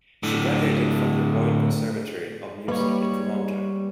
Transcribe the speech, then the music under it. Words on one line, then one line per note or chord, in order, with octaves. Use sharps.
She graduated from The Royal Conservatory of Music in Toronto.
A2 D3
G3 A#3 D#4 G4 B4 C#5